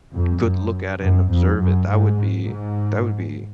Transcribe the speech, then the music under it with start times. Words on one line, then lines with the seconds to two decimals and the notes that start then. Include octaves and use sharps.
good look at it and observe it. That would be that would be
0.14 F2
0.43 F#2
1.01 F#2
1.31 F2
1.59 F#2
1.88 G#2
2.46 G#2